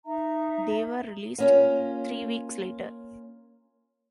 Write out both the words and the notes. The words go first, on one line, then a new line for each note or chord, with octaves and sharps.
They were released three weeks later.
D#4 E5 A#5
A#3 C#4 F4